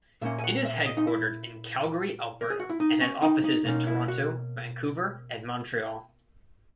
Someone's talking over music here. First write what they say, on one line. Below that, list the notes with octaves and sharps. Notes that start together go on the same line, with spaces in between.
It is headquartered in Calgary, Alberta and has offices in Toronto, Vancouver, and Montreal.
A#2 A#3 C#4 E5
G#5
F#5
E5
D#5
D#4
E4
A#4
G#4
F#4
E4
D#4
C#4
D#4
D#4
B2 A#3 C#4 D#4
E4
F#4